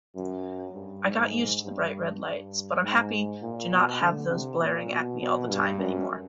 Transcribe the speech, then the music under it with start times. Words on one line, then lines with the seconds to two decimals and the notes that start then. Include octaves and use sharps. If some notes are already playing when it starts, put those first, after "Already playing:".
I got used to the bright red lights, but I'm happy to not have those blaring at me all the time anymore.
0.16 F#2
0.75 G2
1.04 G#2
1.64 G2
2.24 G2
2.82 G#2
3.42 A#2
3.72 B2
4.01 D3
4.31 C3
4.61 A#2
4.91 B2
5.20 B2
5.49 G2
5.80 F#2